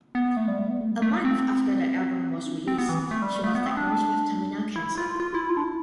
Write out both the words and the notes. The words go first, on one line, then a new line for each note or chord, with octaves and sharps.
A month after the album was released, she was diagnosed with terminal cancer.
B3
A3
G3
A3
B3
A3
G3
A3
C4
E4
D4
C4
C4
B3
E3
A3
G3
A3
B3
C4
D4
E4
F4
F4
E4
F4
D4
E4